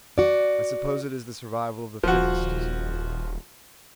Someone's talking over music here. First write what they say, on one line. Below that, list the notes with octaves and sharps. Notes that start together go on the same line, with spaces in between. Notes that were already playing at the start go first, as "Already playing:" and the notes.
"I suppose it is the survival of the fittest," said he.
F#4 D5
D#1 F3 F#4